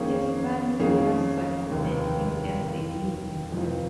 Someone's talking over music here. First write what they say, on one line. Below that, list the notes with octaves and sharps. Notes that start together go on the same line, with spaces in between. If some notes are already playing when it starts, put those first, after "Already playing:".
His son Jonas succeeded him as the leader.
Already playing: F2 D#3 A#3 C#4 G#4
F2 D#3 A#3 C#4 G#4
F1 D#2 D#3
F1 D#2 D#3
F1 F2 F3